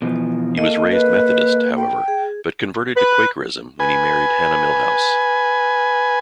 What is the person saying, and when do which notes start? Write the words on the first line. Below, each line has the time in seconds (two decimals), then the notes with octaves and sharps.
He was raised Methodist, however, but converted to Quakerism when he married Hannah Milhous.
0.02 B2 E3 F3
0.57 A#3 A4 D#5
0.92 B4
1.77 G5
2.08 G#4
2.96 B4
3.80 B4 G#5